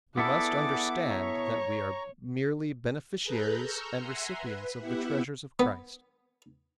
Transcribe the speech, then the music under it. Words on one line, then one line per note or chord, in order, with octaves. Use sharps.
We must understand that we are merely beneficiaries and recipients of the treasures of Christ.
B3 E4 G#4 A4 D5 F#5 D6
C#5 A#5 C#6
G#4 A4 B4 A#5 F#6 G6
A#5 C#6 E6 F6 G6
E5 F#5 G#5 A#5 C6
B4
B3 E4 G4 E5 F#5
B3